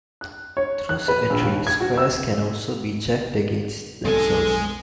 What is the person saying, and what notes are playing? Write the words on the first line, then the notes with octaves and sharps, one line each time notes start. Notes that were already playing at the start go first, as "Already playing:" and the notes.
Through symmetry squares can also be checked against themselves.
F#6
C#5
F#6
B4
A#1
D#2
G#6
F#4
E6
B1 F#2 G#3 A4 G#5